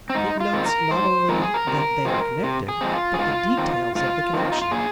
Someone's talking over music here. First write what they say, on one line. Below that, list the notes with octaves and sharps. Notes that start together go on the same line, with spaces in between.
It notes not only that they are connected, but the details of the connection.
C4
G#2 D#4
F4
D#3 G#3 C4
A#4
G#2 C5
D#3 G#3 C4 A#4
G#4
A#4
C3
F3 G#3 C4
C3
G#4
F3 G#3 C4
F4
G#4
G#2 F4
D#3 C4
G#2 F4
D#3 C4
D#4
F4
A#2 G#4